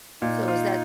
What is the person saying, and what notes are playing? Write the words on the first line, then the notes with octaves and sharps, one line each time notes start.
So is that
A#2 D#4
F4